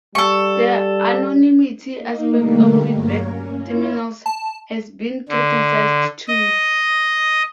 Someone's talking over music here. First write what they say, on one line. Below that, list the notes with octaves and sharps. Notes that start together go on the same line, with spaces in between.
The anonymity aspect of feedback terminals has been criticized too.
G3 A4 C#6
A#3 D#4
B2 D3 G3 A3 A#3
G2 F#3 A#3 A#4 C#5
C#4
E4 F4 C#5
A5
D3
D#5